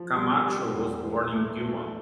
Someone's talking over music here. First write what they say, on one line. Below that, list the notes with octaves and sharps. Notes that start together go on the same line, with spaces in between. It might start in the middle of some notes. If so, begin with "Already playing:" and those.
Camacho was born in Guam.
Already playing: F3
G3 C6
G3
E2
E3
A3
A3